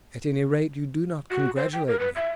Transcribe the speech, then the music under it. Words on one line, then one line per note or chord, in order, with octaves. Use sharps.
"At any rate you do not congratulate me."
F#4
C5
G5
A#4
B4
E5